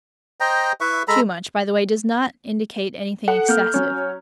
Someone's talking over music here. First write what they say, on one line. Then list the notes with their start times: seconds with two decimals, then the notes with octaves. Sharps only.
Too much, by the way, does not indicate anything excessive.
0.40 C5 D#5 G5 A#5
0.81 E4 B4 E5 C#6
1.08 G#3 A4 A#5 B5
3.28 A4 F#5
3.49 A#3 F6 G6
3.74 F#3 C#4